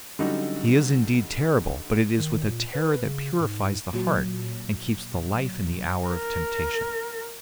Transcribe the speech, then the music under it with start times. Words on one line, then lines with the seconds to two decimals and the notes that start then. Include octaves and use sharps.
He is indeed terrible, but it is with a terror that purifies the heart and keeps the life in the hour of temptation.
0.19 D3 F#3 G3 C#4 D#4 F#4
2.18 D#3
2.47 A#2
2.73 B4
3.04 C#3
3.39 G#2
3.93 A#2 F#3
6.07 A#4